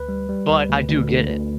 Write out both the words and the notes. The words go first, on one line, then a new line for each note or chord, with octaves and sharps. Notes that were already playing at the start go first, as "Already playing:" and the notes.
But I do get it.
Already playing: D2 B4
G3
G3
D2
D2
D2
D3
D2